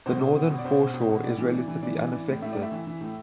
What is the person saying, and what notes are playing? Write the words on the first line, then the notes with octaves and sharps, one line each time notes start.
The northern foreshore is relatively unaffected.
B2 C5
B2
B2
B2
D5
B2 C5
B2
B2
B2
A2 D5
E3
E3
E3
E3 D5
E3
E3
A2
A2 E5
A2 D5
E5
E3
E3
A2